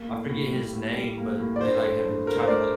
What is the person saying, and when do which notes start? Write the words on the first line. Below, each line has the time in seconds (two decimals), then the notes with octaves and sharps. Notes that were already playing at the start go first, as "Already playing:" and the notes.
I forget his name, but they, like, have it try to, like
Already playing: A#3
0.08 A2
0.30 A2
0.52 G3
0.73 A2
0.96 G3
1.18 A#3
1.39 A2
1.56 D5
1.61 G2 C5
1.83 A3
2.05 G2
2.26 A3 A#4
2.38 C5
2.48 A3 D5